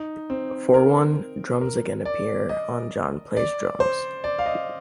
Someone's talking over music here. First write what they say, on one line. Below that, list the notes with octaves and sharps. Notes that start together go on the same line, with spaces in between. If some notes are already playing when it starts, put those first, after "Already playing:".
For one, drums again appear on John Plays Drums.
Already playing: D#4
C4
A#4
A#4
D5
D#5
D5
C5
D5
F5
D#5